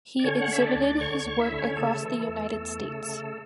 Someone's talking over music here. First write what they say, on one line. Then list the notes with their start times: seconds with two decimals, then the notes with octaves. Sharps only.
He exhibited his work across the United States.
0.20 D5
0.24 D3 C#4 C#5
0.41 F#5
0.50 D3 E5
0.62 D4 D5
0.75 D2
1.00 D3 C#5 C#6
1.20 C#5 C#6
1.26 D2
1.39 E4 E5
1.52 D3
1.58 C#4 C#5
1.77 C#3 A3 A4
2.03 E3
2.28 E2
2.54 E2
2.80 C#3
3.05 C#3